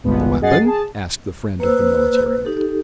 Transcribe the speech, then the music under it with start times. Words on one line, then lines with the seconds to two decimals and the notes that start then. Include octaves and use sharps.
"The weapon?" asked the friend of the military man.
0.03 G1 C2 G2 A#2 G#3 B3
0.41 F#2 G#4 D#5 F#5 A6 C7
0.65 G#4 A5
1.60 A#3 B4 C5 E6
2.45 D#4 G4 A4